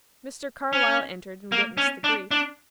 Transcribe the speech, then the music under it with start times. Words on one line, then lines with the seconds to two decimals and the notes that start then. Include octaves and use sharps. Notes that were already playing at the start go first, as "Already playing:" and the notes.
Mr. Carlyle entered and witnessed the grief.
0.73 C#4
1.52 A#3
1.78 C#4
2.04 D4
2.31 D4